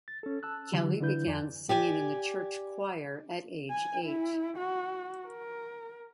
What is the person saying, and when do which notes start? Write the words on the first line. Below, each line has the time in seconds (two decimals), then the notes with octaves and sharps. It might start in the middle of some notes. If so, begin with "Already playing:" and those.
Kelly began singing in the church choir at age eight.
0.08 A6
0.23 C#4 A4
0.43 A5 E6 F#6
0.72 D3 E3 F#3 G4
1.01 D3 D4 E4 B4 G6
1.27 F2 D5 G#5
1.69 G4 D5 G#5
3.71 G#5
4.05 E4
4.58 F#4
5.27 A#4